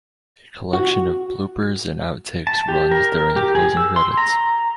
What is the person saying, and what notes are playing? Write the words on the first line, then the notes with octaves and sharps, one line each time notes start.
A collection of bloopers and outtakes runs during the closing credits.
F#4
A5
G4
A#4
G4
G#4
E6
C6
A#5